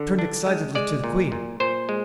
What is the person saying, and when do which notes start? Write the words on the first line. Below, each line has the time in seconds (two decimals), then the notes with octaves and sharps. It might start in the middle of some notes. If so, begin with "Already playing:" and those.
He turned excitedly to the Queen.
Already playing: D3
0.19 D4
0.46 G#3
0.75 G#3 D5
1.04 A#2
1.32 A#2
1.60 A#2 C5
1.89 G#3